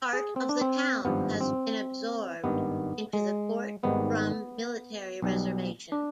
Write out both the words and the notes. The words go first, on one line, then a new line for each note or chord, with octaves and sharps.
Part of the town has been absorbed into the Fort Drum Military Reservation.
G#4
C4
D4
C4
G#1 G2 F3 B3
C4
G#1 G2 D#3 B3
G#3
G#1 G#2 D#3 G3 B3
B1 B2 G3
D4